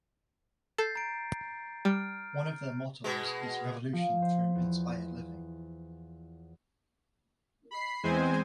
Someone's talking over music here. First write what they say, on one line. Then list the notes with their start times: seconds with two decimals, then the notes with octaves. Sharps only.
One of their mottos is Revolution through inspired living.
0.78 A4 G6 A6 C7
0.95 A#5 D7
1.85 G3 F6 D7
3.04 B2 G#3
3.93 F3
4.22 C5
4.55 E2
7.71 B5 C7
8.03 E2 G#3 C4 C5 G#5